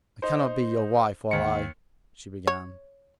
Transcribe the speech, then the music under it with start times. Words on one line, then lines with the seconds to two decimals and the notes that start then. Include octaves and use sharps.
"I cannot be your wife while I...." she began.
0.22 D#4 C5
1.31 D#2 C#7
2.47 C#5